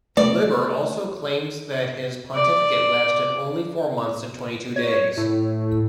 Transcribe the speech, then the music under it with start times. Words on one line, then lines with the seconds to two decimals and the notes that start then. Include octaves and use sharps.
The "Liber" also claims that his pontificate lasted only four months and twenty-two days.
0.17 A3 D5
2.35 D5
4.76 C#5
5.17 A2